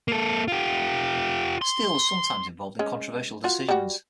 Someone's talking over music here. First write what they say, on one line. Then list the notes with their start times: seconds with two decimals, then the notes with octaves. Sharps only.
Steele was sometimes involved in controversial decisions.
0.08 A#3 A4
0.48 F4 G4
1.62 C6
2.79 G#3 C#4
3.44 F4 F#4
3.69 G3 F#4